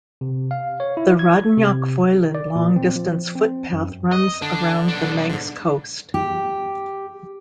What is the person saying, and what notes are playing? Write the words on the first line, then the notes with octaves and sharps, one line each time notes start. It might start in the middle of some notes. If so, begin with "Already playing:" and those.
The Raad ny Foillan long distance footpath runs around the Manx coast.
C3
F5
C#5
E4
G#6
C3
D5
A#2
C4
F3
C4
F#2
D#5
D3 D4
B1 D4
G#2 D3
G4